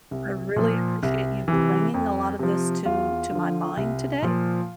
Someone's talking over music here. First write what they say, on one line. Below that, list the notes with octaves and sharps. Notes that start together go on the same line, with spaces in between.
I really appreciate you bringing a lotta this to to my mind today.
C2
A#2 F3
C2
C3 E3
F2
C3 F3
E2 F4
D3 F3
C2
A#2 F3